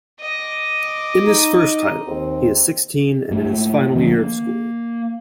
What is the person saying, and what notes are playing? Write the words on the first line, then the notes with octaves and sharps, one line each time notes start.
In this first title he is sixteen and in his final year of school.
D#5 D6
D#4
D#2 C4
G#2 A3
D3 F3 G#3 D4
A#3